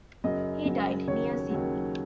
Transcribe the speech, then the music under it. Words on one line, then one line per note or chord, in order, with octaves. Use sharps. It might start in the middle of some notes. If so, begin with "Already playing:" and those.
He died near Sydney.
F#2 C#3 F#3 D#5
F#2 C#3 F#3
D#2 C#3 F#3 C#5
D#2 C#3 F#3